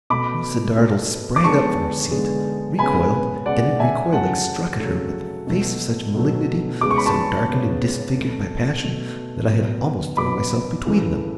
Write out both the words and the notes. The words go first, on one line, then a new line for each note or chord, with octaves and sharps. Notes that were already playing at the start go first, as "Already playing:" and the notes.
Rosa Dartle sprang up from her seat; recoiled; and in recoiling struck at her, with a face of such malignity, so darkened and disfigured by passion, that I had almost thrown myself between them.
B2 A3 B5 D6
B2 A3
D6
D3 G#3 B3 A5 C#6
D3 G#3 B3
C#3 G#3 B3 G#5 B5
C#3 G#3 B3 D5 F#5
E5 G#5
C#3 F#3 A3 F#5 A5
C#3 F#3 A3
B2 F#3 A3
B2 F#3 A3
C#3 G#3 B3 D6
C#6
B5
A5 C#6
C#3 G#3 B3
B2 A3
B2 A3
B2 F#3 B3
B2 F#3 B3 B5 D6
C#3 E3 A3